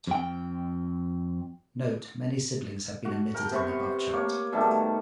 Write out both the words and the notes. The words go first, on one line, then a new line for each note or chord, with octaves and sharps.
Note: Many siblings have been omitted in the above chart.
F2 G5
F#4
A#4 G5
C3 B3 C5 C#6
A#3 C#5
B2 D#3 G3 A3